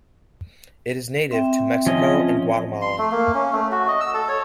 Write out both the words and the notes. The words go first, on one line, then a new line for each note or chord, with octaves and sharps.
It is native to Mexico and Guatemala.
C4 E5 G5
F3 C#4 D#5
C6
A3
A#3
C#4
A3
F#4
D#5
E6
A4
C#5